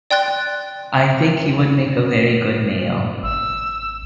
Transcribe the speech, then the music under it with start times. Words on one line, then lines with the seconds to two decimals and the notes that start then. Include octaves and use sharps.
I think he would make a very good mayo.
0.11 D5 G5 C6 F#6 A6
3.23 G#1 E6